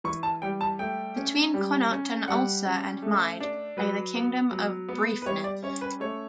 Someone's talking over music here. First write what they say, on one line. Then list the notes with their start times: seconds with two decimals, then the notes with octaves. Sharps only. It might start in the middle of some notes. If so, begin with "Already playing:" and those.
Between Connacht and Ulster and Mide lay the Kingdom of Breifne.
0.04 E3 C#6
0.23 A5
0.42 G3 G5
0.61 A5
0.79 A3 G5
1.16 C#4
1.54 G3
1.91 C#4
2.28 G3 F#5
2.66 C#4
3.02 A3
3.40 D4
3.77 F#3 B4
4.15 B3
4.51 F#3
4.89 B3
5.22 B4
5.25 G3 C#5
5.44 D5
5.63 C#4 C#5
5.81 B4
6.00 A3 C#5